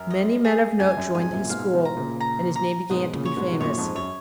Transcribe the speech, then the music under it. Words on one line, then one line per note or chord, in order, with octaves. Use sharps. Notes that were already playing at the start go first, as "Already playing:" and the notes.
Many men of note joined his school, and his name began to be famous.
Already playing: F#2 A#4
D#5
G#4
F#2 G#5
F#2
F2 G#2 G#5
F#2 A#2
A#2
G#2 B2 F5
G#2 B2
A#5
A#2 C#3
A#5
A#5
G#2 B2 D#6
A#2 C#3
C#5
G#2 B2
B2
F#2 A#2 C#5
F2 G#2
F#2 C#5